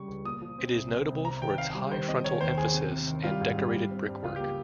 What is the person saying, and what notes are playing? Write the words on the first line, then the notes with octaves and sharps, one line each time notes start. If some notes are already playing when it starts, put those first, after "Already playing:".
It is notable for its high frontal emphasis and decorated brickwork.
Already playing: C#3 G3 C#6
C#2
A#2 D#6
F3
C4
C2
C4
C2
C4 A#5
D#3 G5
C4 F5
G3
D#3 C5
C3 D#5
D#3 C#5
D#2 C5
D#2 G#4
C3
C3
D#3
G3 F4
G#2
G3
G2
C4
G2
C#2 F4
A#3 G4